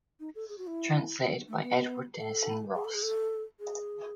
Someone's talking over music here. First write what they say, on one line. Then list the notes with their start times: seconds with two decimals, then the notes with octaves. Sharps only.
Translated by Edward Denison Ross.
0.20 D#4
0.35 A4
0.49 G#4
0.58 F#4
0.67 E4
1.48 A3
1.62 B3
2.18 A4
2.75 G#4
2.85 A4
2.94 G#4
3.03 A4
3.60 G#4